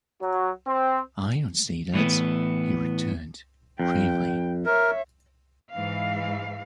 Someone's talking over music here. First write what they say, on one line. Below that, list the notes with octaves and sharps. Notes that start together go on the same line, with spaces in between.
"I don't say that," he returned, gravely.
F#3
C4
A2 E3 B3
F2 G5
A#4 C#5 E5
G#2 E3 F5